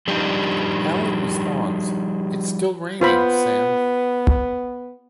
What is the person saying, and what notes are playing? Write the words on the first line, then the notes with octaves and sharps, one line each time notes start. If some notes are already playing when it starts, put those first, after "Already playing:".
Hally responds It's still raining, Sam.
F3 G3 D4 D#4 G4
B3 F4 C5 B5